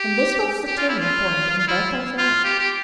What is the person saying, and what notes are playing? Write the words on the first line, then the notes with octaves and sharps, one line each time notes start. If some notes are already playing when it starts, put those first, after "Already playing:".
And this was the turning-point in Bertel's life.
Already playing: G4
G4
F4
E4
F4
F4
E4
F4
G4
G4